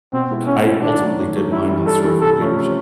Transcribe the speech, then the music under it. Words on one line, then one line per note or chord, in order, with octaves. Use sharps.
I ultimately did mine on servant leadership,
B2 C4
G#3 B3 E4
B2 C#4
G#3 B3 E4
D#3 D4
F#3 A3 C#4
D#3
F#3 A3 C#4
G2 E4
E3 G3
G2 A4
E3 G3
C3 A4
F3 A3 C#4
C3